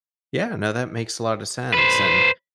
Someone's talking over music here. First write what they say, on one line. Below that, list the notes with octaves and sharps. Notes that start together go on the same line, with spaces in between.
Yeah. No, that makes a lot of sense. And,
B4 C5